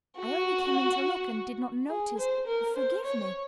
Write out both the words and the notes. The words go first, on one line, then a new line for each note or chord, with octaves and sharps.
"I only came in to look and did not notice... forgive me..."
F#4
G#4
C5
A#4
C5
C#5